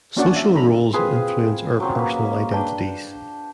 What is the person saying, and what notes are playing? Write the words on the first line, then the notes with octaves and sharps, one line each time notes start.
Social roles influence our personal identities.
A#3 C#4 D4 F#4 D5 F#5
E5
C#4 D#4 A4 A#5 B5
C4 F4 G#4 B4
F#3 C4 C#4
A#3 B4
D4 B4 G5